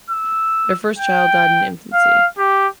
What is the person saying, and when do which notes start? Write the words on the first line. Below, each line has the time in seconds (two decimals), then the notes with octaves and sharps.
Their first child died in infancy.
0.10 E6
0.99 G5
1.94 F5
2.38 G4